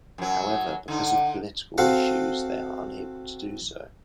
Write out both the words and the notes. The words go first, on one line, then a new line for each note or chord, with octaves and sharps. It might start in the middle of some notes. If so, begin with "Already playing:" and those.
However, because of political issues, they are unable to do so.
F#2 F#3
D3 D#4
C4 F#4 A4 F5 C#6